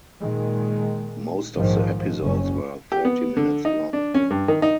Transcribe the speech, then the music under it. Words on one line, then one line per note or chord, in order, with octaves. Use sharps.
Most of the episodes were thirty minutes long.
A#2 D#3 G#3
A#1 G#2 D#3 F3
F#1 C#4
G4
B3
D3
D#4
D4
C#4
G2
D#3
D#4